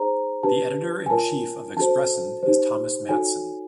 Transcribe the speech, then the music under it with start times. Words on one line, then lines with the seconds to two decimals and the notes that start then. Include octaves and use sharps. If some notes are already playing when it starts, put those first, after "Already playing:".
The editor in chief of "Expressen" is Thomas Mattsson.
Already playing: D#4 G#4 C5 A#5
0.43 D4 G4 B4 A5
1.06 G#5
1.10 F4 A#4 C#5 A5
1.76 D4 F#4 A4 C5 A5
2.43 D#4 G4 C5
3.09 D#4 F#4 A4 C#5 G#5